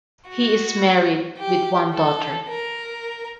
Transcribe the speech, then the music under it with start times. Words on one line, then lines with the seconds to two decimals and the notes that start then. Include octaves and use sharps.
He is married with one daughter.
0.29 F#4
1.39 G4
1.94 A4
2.50 A#4